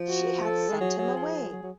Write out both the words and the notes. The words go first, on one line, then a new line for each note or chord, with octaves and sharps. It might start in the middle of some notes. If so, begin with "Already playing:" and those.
She had sent him away!
Already playing: F3
F#4
A4
G#3
F#3 G#4
F#3
F3
F#3
F#3